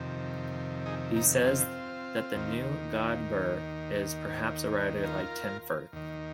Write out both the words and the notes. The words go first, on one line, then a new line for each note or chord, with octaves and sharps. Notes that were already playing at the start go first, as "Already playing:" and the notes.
He says that the "new Godber" is perhaps a writer like Tim Firth.
Already playing: F2 C3 D#3
D#4 G#4
A#3 D#4
G#4
C4 F4
D#2 D#3
F4 A#4
D#2 D#3